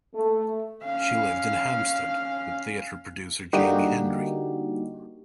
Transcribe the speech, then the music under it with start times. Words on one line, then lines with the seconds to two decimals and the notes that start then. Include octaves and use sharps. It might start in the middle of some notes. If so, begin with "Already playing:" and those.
She lived in Hampstead with theatre producer Jamie Hendry.
0.14 A3
0.85 C#4 F5
3.53 D3 G3 A#3 D#4 F#4 G4